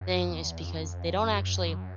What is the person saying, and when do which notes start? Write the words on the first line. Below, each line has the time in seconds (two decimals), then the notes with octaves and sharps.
thing is because they don't actually
0.01 F#2
0.31 E2
0.62 F2
1.24 F#2